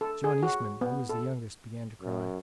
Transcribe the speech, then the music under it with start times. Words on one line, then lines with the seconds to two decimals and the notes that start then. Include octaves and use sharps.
John Eastman, who was the youngest, began to cry.
0.01 A4
0.24 G#4
0.43 F#4
0.81 B3
1.09 A4
2.01 F#2